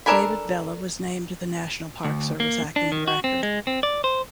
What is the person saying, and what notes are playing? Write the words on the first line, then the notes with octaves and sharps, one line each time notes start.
David Vela was named the National Park Service acting director.
D4 A4 A#4 G#5 B5
D2
A#3
D4
D#3
F#4
C4
G#3
C4
D5
C5